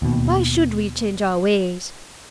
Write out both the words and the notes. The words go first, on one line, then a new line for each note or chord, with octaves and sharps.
Why should we change our ways?
D#2 B2